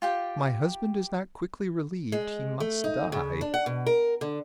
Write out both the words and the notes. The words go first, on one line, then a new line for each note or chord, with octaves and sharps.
"If my husband is not quickly relieved, he must die."
F4 G4 G5
G#3
A3
D#4
C#3
D4
F#5
B2
A#4
D3